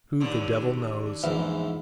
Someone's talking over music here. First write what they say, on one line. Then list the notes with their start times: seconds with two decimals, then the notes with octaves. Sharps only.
Who the devil knows?
0.20 D#2 D3
1.23 A#1 E2 G#2 E3